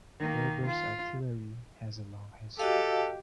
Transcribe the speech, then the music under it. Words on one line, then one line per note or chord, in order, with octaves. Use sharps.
Air burst artillery has a long history.
D#3 A#3
F4
F#4 G4 A4 D#5 F5